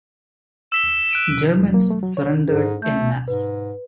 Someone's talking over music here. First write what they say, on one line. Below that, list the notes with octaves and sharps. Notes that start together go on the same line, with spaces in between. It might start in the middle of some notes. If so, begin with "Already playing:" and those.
Germans surrendered en masse.
E6 B6 E7 G7
F#6 D7 D#7
A#3
A3
F#3
C#5
G#2 G#4 C5
A3 G6
G#2 B4